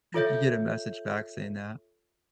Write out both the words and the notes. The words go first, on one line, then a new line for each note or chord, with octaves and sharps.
you get a message back saying that.
F4 A4 C#5 E5 G6